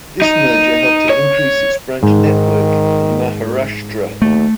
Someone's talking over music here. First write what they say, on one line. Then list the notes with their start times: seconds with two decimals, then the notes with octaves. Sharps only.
This merger helped it increase its branch network in Maharashtra.
0.22 D#4
1.10 C#5
2.03 G#2 D#3
4.22 D#2 A3